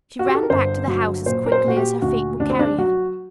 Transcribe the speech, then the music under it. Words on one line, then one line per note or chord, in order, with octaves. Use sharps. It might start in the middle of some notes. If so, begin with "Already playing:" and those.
She ran back to the house as quickly as her feet would carry her.
F#4
G4
A4
A#4
G1 C5
F#3
A#2 C5
A#4
C5
A#2 F#4
G4
D2 F#4
D2 D4
C4
D4
F#3 F#4